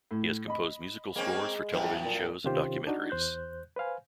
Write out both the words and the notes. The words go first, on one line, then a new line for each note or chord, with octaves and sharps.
He has composed musical scores for television shows and documentaries.
A2
D#5 B5
G#3 A#3 C4 C#4
F#2 A2 F3
A#2
C3 D#3 C#4 F4 G4 C5
D4 D#4 F#4
E2 C5 F#6 G6
B4 C5 F5 G#5